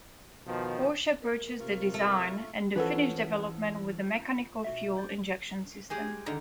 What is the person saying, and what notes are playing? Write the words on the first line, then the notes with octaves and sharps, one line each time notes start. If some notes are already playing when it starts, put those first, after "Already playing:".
Porsche purchased the design and the finished development with a mechanical fuel injection system.
B2 D#3 F3
A#4
C3 F4 A#5 C#6
A3
E3 F3 C#4 A4 B4 F#5
B1 F#4 E5
G4 D5
G#3 G4 G#4
D3 D#3 A#5